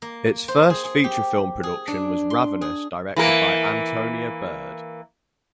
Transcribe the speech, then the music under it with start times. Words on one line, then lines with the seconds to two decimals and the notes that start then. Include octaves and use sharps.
Its first feature film production was "Ravenous", directed by Antonia Bird.
0.02 A#3
0.48 C5
0.70 G#4
0.85 G#4
1.04 G4
1.63 G#4
1.88 D4
2.30 C6
2.61 G#4
3.16 E3 A#3 A#4